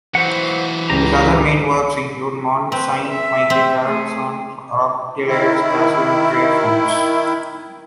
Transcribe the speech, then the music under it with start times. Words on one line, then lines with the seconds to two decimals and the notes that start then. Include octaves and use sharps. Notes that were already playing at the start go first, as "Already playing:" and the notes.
His other main works include Mont Saint-Michel, Carcassonne, Roquetaillade castle and Pierrefonds.
0.15 E3 F#3 C5 F#5
0.90 C#2 G#2 C#4 G4 A#5
2.72 C4 B4
3.08 E5
3.50 C4
3.82 A3 G#4
5.28 D#3 E4